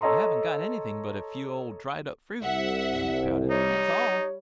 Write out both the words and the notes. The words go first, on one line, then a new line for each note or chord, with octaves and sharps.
"I haven't got anything but a few old dried-up fruits," Amos pouted. "That's all."
A4 C#5 D#5 A#5 C6
C2 E5 F#5
G3 D#4 C#5